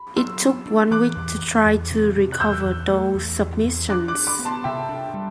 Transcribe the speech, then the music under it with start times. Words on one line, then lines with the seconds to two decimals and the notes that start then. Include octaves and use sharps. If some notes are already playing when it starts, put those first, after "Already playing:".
It took one week to try to recover those submissions.
Already playing: B5
0.16 F#3 C6 E6
0.42 B3
0.66 D4
0.91 E3 D6 F#6
1.16 E2
1.41 E2
1.66 E2
1.91 C3
2.16 C3
2.32 F#6
2.40 E2 E6 G6
2.65 E2
2.90 A3
3.15 E2
3.40 E2
3.65 E2
3.89 D4 D6 F#6
4.08 D6 F#6
4.14 D4
4.27 B5 D6
4.39 B3
4.45 A5 C6
4.64 C3 E5 G5
4.89 D4
5.14 G3